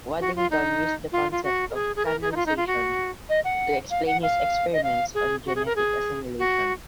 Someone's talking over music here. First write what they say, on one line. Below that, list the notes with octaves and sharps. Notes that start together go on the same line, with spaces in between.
Waddington used the concept of canalisation to explain his experiments on genetic assimilation.
F#4
F4
D#4
F4
F4
F#4
A#4
G#4
G#4
A#4
G#4
D#4
F4
D#4
F4
F#4
D#5
F#5
F5
F#5
F5
D#5
F5
G#4
F#4
G#4
A#4
G#4
F#4